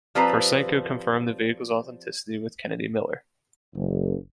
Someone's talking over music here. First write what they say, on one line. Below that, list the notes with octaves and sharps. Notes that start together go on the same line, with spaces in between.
Fursenko confirmed the vehicle's authenticity with Kennedy Miller.
F3 G3 C4 B4 A#5
F#1